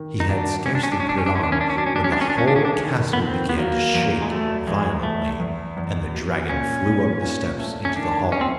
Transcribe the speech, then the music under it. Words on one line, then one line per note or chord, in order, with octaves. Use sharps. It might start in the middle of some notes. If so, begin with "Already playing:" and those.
He had scarcely put it on, when the whole castle began to shake violently, and the dragon flew up the steps into the hall.
Already playing: D#3
D#4
D4 F#4
G#2 C#4
D4
C#4
D4
G#2 C#4
D4
C#4
D4
C#4
D#3 D4
C#4
D4
C#4
F#3 D4
C#4
D4
C#4
C2 D4
C#4
D4
C#4
D#3 D4
C#4
D4
C#4
D#3
B3
D#3 C4
B3
F#3 A#3
E2
G#3
F#3 A3
E2 G#3
E2 A3
E2
E2
B2
A#2 C#4
A#2
A#2
A3
C#4
D#3 D4
D#3 C#4
C4